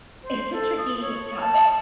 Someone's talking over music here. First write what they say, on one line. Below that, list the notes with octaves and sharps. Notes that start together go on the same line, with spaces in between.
it's a tricky topic,
C5
A4
D#6
C#5
A5